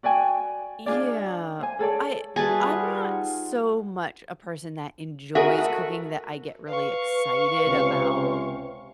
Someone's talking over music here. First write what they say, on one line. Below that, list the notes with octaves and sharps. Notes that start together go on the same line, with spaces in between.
Yeah. I I'm not so much a person that enjoys cooking that I get really excited about,
F#4 D5 G5 G#5
D4 F4 G#4 D5
C5 G#5
G#4 A4 C#5 D5
G3 F#4 G#4 B4 E5 G#5 A5
D#4 F4 F#5
F#4 G#4 A#4 D#5 E5
A3 F#4
B4 F5 C#6
C#2 C3 C#4